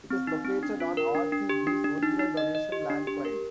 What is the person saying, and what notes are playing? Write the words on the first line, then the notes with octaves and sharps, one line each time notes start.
It is located on R. C. Geer's original Donation Land Claim.
C4
D#4
C4
D4
F4
A#4
D4
D4
G4
D4
D4
D#4
D#4
D#5
D#5
G4
D4
G4
A#4